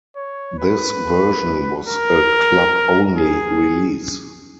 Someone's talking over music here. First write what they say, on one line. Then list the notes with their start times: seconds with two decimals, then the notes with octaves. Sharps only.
This version was a club-only release.
0.16 C#5
0.59 B4
1.87 A#4
3.16 G#4